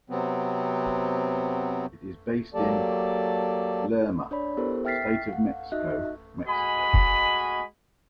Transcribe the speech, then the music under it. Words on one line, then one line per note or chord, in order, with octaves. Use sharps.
It is based in Lerma, State of Mexico, Mexico.
C3 F#3 B3 C4
F#3 A#3 G4 A4 D5 A5
D4 C#5 D5 B5
B3 E4 G4 A4 A#4 C5
E5 G5 F6 A6 B6 C7
F5 F#5
D#4 F#4 D#5 E5 F#6
G#3 F#4 D#5 G#5 B5